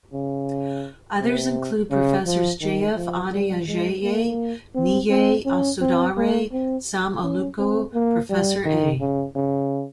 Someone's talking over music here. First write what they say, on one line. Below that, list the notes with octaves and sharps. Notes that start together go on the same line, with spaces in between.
Others include Professors J. F. Ade Ajayi, Niyi Osundare, Sam Aluko, Professor A.
C#3
C3
C#3
F3
D#3
F3
G3
G#3
A#3
C4
C4
C#4
C4
A#3
C4
C#4
C4
A#3
G3
D#3
C#3
C#3